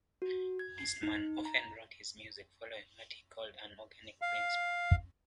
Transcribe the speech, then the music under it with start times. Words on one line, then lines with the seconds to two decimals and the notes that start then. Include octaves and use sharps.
Eastman often wrote his music following what he called an "organic" principle.
0.22 F#4
0.59 G#6
0.78 C7
1.03 D#4
1.45 A#5
4.22 F5